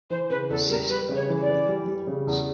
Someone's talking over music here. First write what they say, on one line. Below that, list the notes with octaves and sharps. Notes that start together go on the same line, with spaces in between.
Cysts develop in liver and lungs.
E3 C5
C#3 B4
E2 A4
G3 A#4
G3 B4
C#3
C#5
E3
D5
E3
G3
G3
C#3
E2